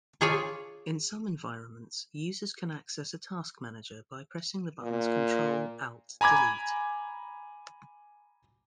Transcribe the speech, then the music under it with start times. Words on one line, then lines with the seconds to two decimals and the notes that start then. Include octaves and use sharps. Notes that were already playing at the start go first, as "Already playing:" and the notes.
In some environments, users can access a task manager by pressing the buttons Control-Alt-Delete.
0.21 F4 G#4 C#5 D5
4.83 A#2
6.21 G#5 A#5 B5 D6 G#6